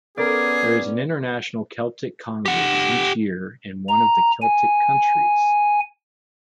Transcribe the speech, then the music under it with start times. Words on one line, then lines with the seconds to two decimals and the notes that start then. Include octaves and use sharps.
There is an International Celtic Congress each year in one of the Celtic countries.
0.18 B3 C#4 G#4 A#4 D5
2.46 G4 F#5
3.89 A#5
4.42 G#5